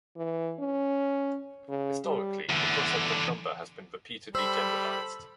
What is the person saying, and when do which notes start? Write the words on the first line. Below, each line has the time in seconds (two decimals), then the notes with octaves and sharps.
Historically, the concept of number has been repeatedly generalized.
0.17 E3
0.60 C#4
1.69 C#3
2.05 G3
2.49 E2 D3
4.35 G3 A4 C5 B5 E6